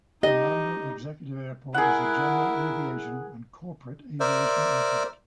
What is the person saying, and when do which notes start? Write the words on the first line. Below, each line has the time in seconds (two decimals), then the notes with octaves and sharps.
Orlando Executive Airport is a general aviation and corporate aviation airport.
0.23 D#4 G4 D#5
1.74 E4 G#4 A#4 F#5
4.20 A#4 C5 D5 E5